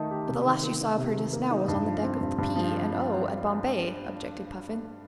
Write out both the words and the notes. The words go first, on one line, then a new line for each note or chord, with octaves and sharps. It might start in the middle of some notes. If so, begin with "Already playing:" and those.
"But the last you saw of her just now was on the deck of the P. and O. at Bombay," objected Puffin.
Already playing: D#3 A3 D#4
G4
C3
D#3
A#3
D#4
C3
D#3
A#3
D#4
G2
F3
C4
G2
G2
F3